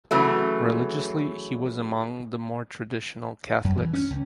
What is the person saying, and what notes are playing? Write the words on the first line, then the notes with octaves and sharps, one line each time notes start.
Religiously he was among the more traditional Catholics.
C#3 E3 F#3 A3
F#2
E3
C#4
C#2